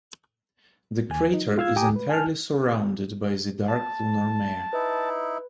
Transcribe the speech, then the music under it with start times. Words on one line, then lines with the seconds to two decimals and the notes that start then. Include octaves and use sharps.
The crater is entirely surrounded by the dark lunar mare.
1.10 D#2 G#5
1.34 D#4
1.58 F4 F5 E6 G#6
1.76 G4 G5 G#5 A#5 D6 D#6
1.96 B4
2.09 G#5 A5 F6
3.68 A5
4.73 D#4 E4 B4